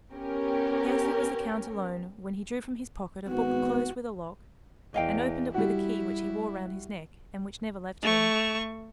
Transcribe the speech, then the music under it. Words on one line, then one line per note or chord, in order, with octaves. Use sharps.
Scarcely was the count alone, when he drew from his pocket a book closed with a lock, and opened it with a key which he wore round his neck, and which never left him.
B3 C#4 G4 A#4
G#1 B3 F#4
E2 D#5 F5 G5
G3 E4 F#4
A3 C#6